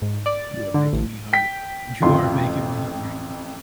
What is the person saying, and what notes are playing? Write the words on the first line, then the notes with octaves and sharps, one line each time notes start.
You are making me hungry. You are making me hungry.
G#2
D5
D3
A1
G5 B6
A1 F2 F4 C6